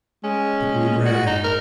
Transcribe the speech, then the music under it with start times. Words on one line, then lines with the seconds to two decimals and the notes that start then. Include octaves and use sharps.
But we ran.
0.24 G#3 C#4
1.05 F#4
1.27 D#4
1.44 A#4